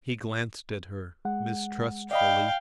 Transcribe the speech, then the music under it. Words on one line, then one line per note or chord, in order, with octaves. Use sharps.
He glanced at her mistrustfully.
G#3 F#5
D5 D#5 F5 G5 B5